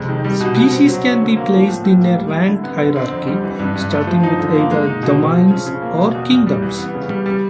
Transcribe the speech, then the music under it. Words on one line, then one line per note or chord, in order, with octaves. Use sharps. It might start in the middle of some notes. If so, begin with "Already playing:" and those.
Species can be placed in a ranked hierarchy, starting with either "domains" or "kingdoms".
Already playing: F2 C3 G#3
D#3
G3
B2
B2
C4
F#3
C#4
D3
A#3
F3
A2
A2
A#3
G3
E4
D3
B3
D3
C4
F2
G3
E3
G2
G2
A3
F3
D#4
D3
A#3
G#3
D#4
B2
C4
F3
C#3
C#3
A#3
B2
E2
E2
G3
E3
B3
C#3
G3
G3